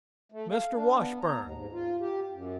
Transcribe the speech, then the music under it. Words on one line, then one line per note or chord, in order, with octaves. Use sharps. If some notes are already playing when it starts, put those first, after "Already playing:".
"Mr. Washburn!"
A3
F5
D4
B3
A#5
D#2
G#2
F4
G4
F#2